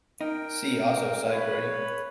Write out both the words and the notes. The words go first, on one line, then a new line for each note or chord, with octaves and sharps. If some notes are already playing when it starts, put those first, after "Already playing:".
See also: sidegrade.
D#4 A#4 G5
B4 C#5